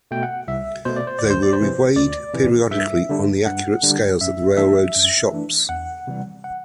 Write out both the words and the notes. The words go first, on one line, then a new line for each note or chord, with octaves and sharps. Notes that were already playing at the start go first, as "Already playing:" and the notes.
They were reweighed periodically on accurate scales at the railroad's shops.
B2 A3 G5
F#5
C2 E5
B2 A3 C5
D5
C5
D2 D5
C5
D5
C5
C3 E3
D2 D5
C3 E3
G2 E5
D3 G3 D4
G2 F#5
D3 G3 D4
F#2 E5
E3 A3 D4 E5
F#2
E3 A3 D4
E2 F#5
C3 E3 G3
F#5